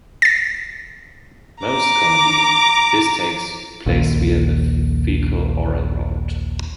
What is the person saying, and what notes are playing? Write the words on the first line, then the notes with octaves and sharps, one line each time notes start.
Most commonly, this takes place via the faecal-oral route.
A6 A#6
A#5 D6
A#1 D#2